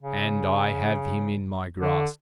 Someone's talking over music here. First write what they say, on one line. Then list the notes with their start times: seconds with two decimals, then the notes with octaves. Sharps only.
And I have him in my grasp!
0.01 C#3
1.81 D3